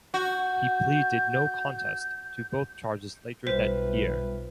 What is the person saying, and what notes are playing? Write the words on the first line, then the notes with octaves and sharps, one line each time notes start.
He pleaded no contest to both charges later that year.
F#4 G6
B1 G3 F4 B4 C5 E5